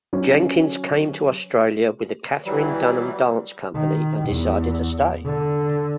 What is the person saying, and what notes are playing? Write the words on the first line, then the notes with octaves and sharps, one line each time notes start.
Jenkins came to Australia with the Katherine Dunham Dance Company and decided to stay.
F#3 C#4
E3 F#3 G3
D#3
E2
D3